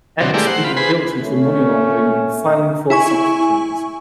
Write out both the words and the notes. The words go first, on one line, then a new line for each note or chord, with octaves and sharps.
Epps pleaded guilty to money laundering and filing false tax returns.
B2 D3 F#3 C4
G#3 A3 E4 G4 A#4 D5
C5 F#5
F4 B5
G#4 B4 C5 B5
A3 C#4
E4 G#5 C#6